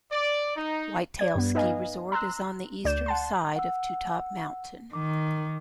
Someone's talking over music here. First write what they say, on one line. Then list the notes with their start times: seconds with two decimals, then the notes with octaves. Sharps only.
Whitetail Ski Resort is on the eastern side of Two Top Mountain.
0.12 D5
0.56 D#4
1.19 D5 G#6
1.35 G2 B3
1.55 D#4 B4 D#5 F5 G#5
2.12 A#5 C6 E6 F#6
2.84 D2 D5 G6 E7
3.06 F#5 A5 C6
3.56 F#5 E6
4.93 D#3 D6